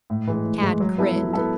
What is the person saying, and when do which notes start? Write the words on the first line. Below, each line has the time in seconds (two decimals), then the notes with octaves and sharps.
Tad grinned.
0.10 A2
0.27 E3 G#3
0.45 A2
0.62 E3 G#3
0.80 F#3
0.98 B3 E4 A4
1.16 F#3
1.33 B3 E4 A4